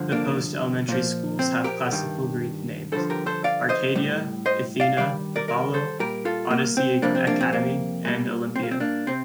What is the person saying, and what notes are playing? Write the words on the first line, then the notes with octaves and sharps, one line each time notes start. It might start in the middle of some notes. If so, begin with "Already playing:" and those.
The post-elementary schools have Classical Greek names: Arcadia, Athena, Apollo, Odyssey Academy, and Olympia.
Already playing: G2 D3 F3
A#3 D4
A#2 F3
C4
G4 A#4
G2 D#3 G3
G2 D3 F3 A4 C5
G4 A#4
A4 C5
D5 F5
C5 D#5
A2 G3
C5 D#5
D5 F5
G2 D#3 G3 D5 F5
A#4 D5
A#4 D5
A4 C5
A#2 G3 G4 A#4
F4 A4
A#3
C4
F2 C3 G3 A#3 D4
C4
A#3 D4
C4
A#3
A#2 G3
C4
A#3
C4
A#3 D4
C3 C4